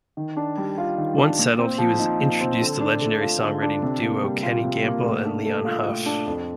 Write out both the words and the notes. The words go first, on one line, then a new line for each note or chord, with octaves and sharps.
Once settled, he was introduced to legendary songwriting duo Kenny Gamble and Leon Huff.
D#3
D4
G3
F4
D#3
D4
A#2
C4
F3
D#4
A#2
C4
D3
D4
A3
F4
D3
D4
C3
A#3
G3
F4
C3
A#3
A2
D4
A3
F4
A2
D4
F2